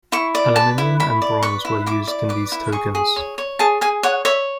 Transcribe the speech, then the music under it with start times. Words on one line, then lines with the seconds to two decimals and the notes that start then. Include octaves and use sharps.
Aluminium and bronze were used in these tokens.
0.12 E4 C#6
0.35 D5
0.56 B4 A5
0.78 E4
1.00 E4 B5
1.22 D5
1.43 B4 C#6
1.65 E4
1.86 E4 D6
2.07 D5
2.29 B4 D6
2.52 E4
2.72 G#4 C#6
2.95 G#4
3.16 C#5
3.38 C#5
3.59 G#4 A5
3.81 G#4 G#5
4.03 C#5 F#5
4.25 C#5 E5